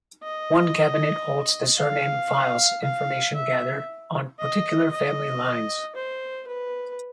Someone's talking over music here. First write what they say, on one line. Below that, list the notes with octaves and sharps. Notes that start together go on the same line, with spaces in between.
One cabinet holds the surname files-information gathered on particular family lines.
D#5
F5
F5
E5
D#5
D#5
C5
B4